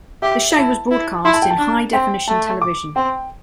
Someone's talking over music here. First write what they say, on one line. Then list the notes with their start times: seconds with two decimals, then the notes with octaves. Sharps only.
The show was broadcast in high definition television.
0.22 G4 E5
0.57 E4 A5
0.91 E4
1.25 E4 C6
1.34 A5
1.42 G5
1.51 A5
1.59 D4
1.93 C4 G5
2.28 A3 A5
2.62 D6
2.96 C4 G5